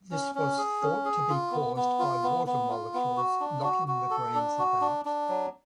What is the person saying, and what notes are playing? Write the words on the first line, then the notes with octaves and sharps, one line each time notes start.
This was thought to be caused by water molecules knocking the grains about.
C#4
C#4
G#4
C#4
G#4
F4
B3
B3
F4
B3
B3
F4
B3
F#4
D4
F#4
F#4
A4
D4
F#4
D4
D4
F#3